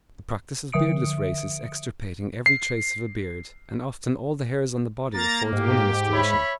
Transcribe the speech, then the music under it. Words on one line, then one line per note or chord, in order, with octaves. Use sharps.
The practice of beardless races extirpating every trace of a beard, and often all the hairs on the body affords one illustration.
D3 F3 E5 D#6 C#7 D7
C7
A#3 A#5 A6
G#2 G4
C#5 E5 B5